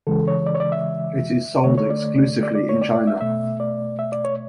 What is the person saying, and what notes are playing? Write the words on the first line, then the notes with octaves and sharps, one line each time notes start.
It is sold exclusively in China.
C#3 E3 G#3 A4
C#5
D5
C#5
D5
E5
D3 A3 C#5
C#5
D5
D5
D5
C#5
D5
D5
E5
B2 A3 E5
D5
E5
D5
C#5